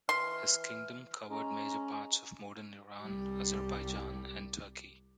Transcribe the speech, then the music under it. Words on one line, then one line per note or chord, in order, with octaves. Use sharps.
His Kingdom covered major parts of modern Iran, Azerbaijan, and Turkey.
E3 C6 F6
G#3 C#4 A#5
C2 G3